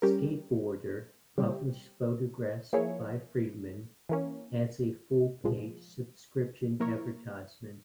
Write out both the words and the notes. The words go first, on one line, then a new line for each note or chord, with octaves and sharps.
"SkateBoarder" published photographs by Friedman as a full-page subscription advertisement.
G3 C#4 G4 A#4
C#3 G3 C4 G4
F3 A#3 E4 G#4 C#5
E3 A#3 C#4
C2 A#2 F3 G#3
F3 A#3 E4 A#4 C#5